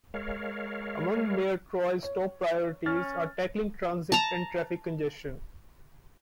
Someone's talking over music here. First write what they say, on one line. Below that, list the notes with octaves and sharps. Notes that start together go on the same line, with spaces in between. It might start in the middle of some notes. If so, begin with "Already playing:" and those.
Among Mayor Tory's top priorities are tackling transit and traffic congestion.
G#3 A#4 C#5 F5
C#5
C#4 F6 A6
A5 A#5